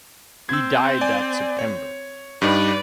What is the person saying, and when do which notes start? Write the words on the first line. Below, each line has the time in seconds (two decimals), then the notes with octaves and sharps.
He died that September.
0.49 C4 E6 G#6
1.01 D5 G#5
1.59 C#5
2.42 G2 G3 D#4 B4 D5